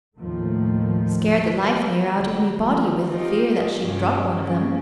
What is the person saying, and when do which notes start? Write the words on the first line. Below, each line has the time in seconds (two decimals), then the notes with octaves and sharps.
Scared the life near out of me body with the fear that she'd drop one of them.
0.17 D#2 A2 D#3 F3 A3
2.15 D3
2.55 F3
3.10 D#4 F4 G4
3.79 G2 C3 C#4
4.37 C#3 C#4